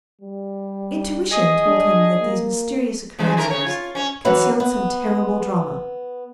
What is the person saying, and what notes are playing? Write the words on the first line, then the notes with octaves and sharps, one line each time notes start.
Intuition told him that these mysterious occurrences concealed some terrible drama.
G3
G#4 D#5
D4
A#3
C#3 E3 G#3
D#3 A3 A#4
C#3 C#5
F4
C#4 C#5
E3 F#3 C#4 B4
B3